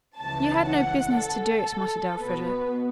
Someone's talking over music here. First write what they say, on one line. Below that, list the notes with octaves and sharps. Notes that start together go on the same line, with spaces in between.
"You had no business to do it," muttered Elfreda.
C#2 C#3 E3 A5
F#5
A4
B2 B3 B4